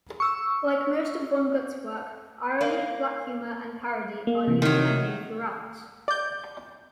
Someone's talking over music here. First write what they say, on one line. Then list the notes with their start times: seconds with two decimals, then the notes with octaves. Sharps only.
Like most of Vonnegut's work, irony, black humor and parody are used heavily throughout.
0.20 C#6 E6
2.61 A#3
4.27 A#3
4.47 C3 E3
4.62 D#3 F#3
6.08 D5 G6